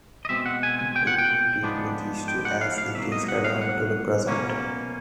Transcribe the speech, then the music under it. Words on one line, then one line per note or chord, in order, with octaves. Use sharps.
It would deal with history as it is relevant to the present.
D#5
B2 G#3 C4 E5
F#5
G#5
G#5
G5
F#5
G5
G#2 F3 G#3 B3 D4
G5
F#5
F5
F5
C2 B2 F#3 A#3 E5
D#5
F#5
F5
F#5
B2 F#3 A#3 C#4